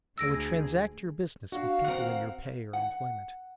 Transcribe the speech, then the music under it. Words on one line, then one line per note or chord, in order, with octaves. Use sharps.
I would transact your business with people in your pay or employment.
D2 G#4 E6 A#6 D7
D4 F#4 F5
D#2 C4 A#4 F#5
F#5